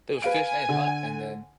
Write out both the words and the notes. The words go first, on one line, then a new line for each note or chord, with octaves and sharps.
they would fish and hunt and then
B4 F5 G#5 D7
D3